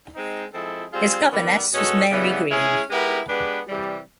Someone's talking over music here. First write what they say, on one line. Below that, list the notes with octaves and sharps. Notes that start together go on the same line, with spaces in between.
His governess was "Mary Green".
G#3 C4 D#4
F3 G#3 C4 E4 A4
G3 C4 F4 G#4
D#3 G3 B3
B2 G#3 C#4 F#4 A4
C#3 E3 G3 B3
G#3 C#4 E4 G#4
G#3 B3 E4 G4 A#4
G#3 B3 D4 G4 B4
C3 E3 G3